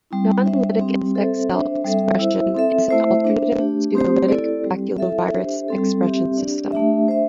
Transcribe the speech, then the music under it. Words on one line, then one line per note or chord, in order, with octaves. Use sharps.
Non-lytic insect cell expression is an alternative to the lytic baculovirus expression system.
G3 C4 E4
G3 D4 C5 E5
G3 C4 G4
C4 A4 C5 E5
D4 C5 E5
G3 C4 A4 E5
E4 C5 E5
C4 A4 E5
A3 E4 C5 E5
D4 C5 E5
A3 D4 G4
A3 C4 G4 C5
E4 A4 D5
G3 C4 G4
E4 A4 E5
D4 G4 C5 E5
G3 C4 A4
C4 G4 E5
D4 G4 D5
A3 D4 G4 E5
D4 C5 E5